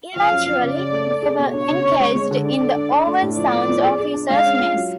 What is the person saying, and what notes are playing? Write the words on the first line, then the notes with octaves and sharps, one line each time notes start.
Eventually, they were encased in the Owen Sound Officers' Mess.
F3 F5
F#2
F3
C#3 D5
C#3
A3
A3
G#4
B2
D4 C#5
C#3
C#3
G#3
G#3
D3
D4 D5
A4
D4
D4
A3
A2
F3 D5
B3
F3
G#4
G#4
D4
G#3 F5
C#4
F4
F#3